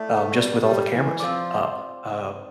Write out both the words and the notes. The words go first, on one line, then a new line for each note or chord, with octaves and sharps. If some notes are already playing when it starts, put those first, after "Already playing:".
Um, just with all the cameras up, uh,
Already playing: A3 E4 A4 D5
G3
G3
E3
F3 C4 F4 A#4 D5